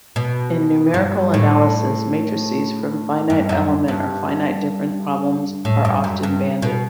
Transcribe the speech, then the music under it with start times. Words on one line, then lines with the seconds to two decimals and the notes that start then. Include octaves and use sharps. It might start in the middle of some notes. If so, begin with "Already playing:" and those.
In numerical analysis, matrices from finite element or finite difference problems are often banded.
0.16 B2
0.94 G2
1.34 A2
3.30 G2
3.49 F#2
3.88 G2
5.65 A2
5.85 G2
6.04 F#2
6.23 G2
6.62 B2